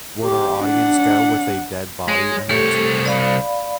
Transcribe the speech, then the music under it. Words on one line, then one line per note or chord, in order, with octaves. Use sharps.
Would our audience go with a dead body in it?
G4
D4 F#5
G#3 C#5
C2 A3 G4 A4 C#5
D5 F5 B5